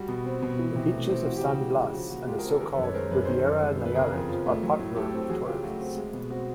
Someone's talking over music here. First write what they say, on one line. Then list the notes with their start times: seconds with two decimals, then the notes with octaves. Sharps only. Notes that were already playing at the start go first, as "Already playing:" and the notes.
The beaches of San Blas and the so-called "Riviera Nayarit" are popular with tourists.
Already playing: G3 F#4
0.08 B2
0.26 C4
0.42 B2
0.59 E3
0.76 C3
0.93 A3
1.10 C4
1.26 E3 F#4
1.36 G4
1.44 C#3 F#4
1.60 G#3
1.77 C#3
1.94 F3 F#4
2.10 A#2 F#4
2.27 G#3 F4 G4
2.38 G#4 A#4
2.44 C4
2.49 G4 A4
2.60 D#3 G#4 A#4
2.72 A4 B4
2.77 F#2
2.83 B4 C#5
2.94 G#3 A#4 C5
3.11 F#2 B4
3.25 D#3 C5
3.38 A4 B4
3.45 F#2
3.62 G#3
3.78 B3
3.85 B4
3.95 C#3 G#4 A#4
4.12 F2
4.29 F3
4.46 A3
4.63 F#3
4.79 A2
4.96 A3 G4 A4
5.13 C4
5.29 F#3 F#4 G#4
5.46 C#3 F4 G4
5.64 A3 F#4
5.80 C4
5.97 G#3
6.13 B2
6.31 C4 F#4